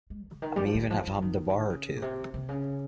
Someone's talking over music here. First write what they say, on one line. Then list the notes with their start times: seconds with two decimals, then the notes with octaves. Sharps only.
I may even have hummed a bar or two.
0.10 G#3
0.27 C#3
0.42 D#3
0.56 G3
0.65 F3
0.75 D#3
0.90 F3
1.06 F3
1.22 D#3
1.70 C#3
1.97 A#2
2.02 C3
2.34 C3
2.49 C#3